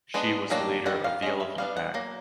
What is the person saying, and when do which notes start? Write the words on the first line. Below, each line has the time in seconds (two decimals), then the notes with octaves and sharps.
She was the leader of the elephant pack.
0.14 G#3 B3 D4
0.50 D#3 F#3 A#3 D4
0.86 D#3 G3 F#5
1.04 F5
1.22 G#3 C#4 D#5
1.40 E5
1.58 G3 B3 D4 F5
1.77 F#5
1.94 F#3 A#3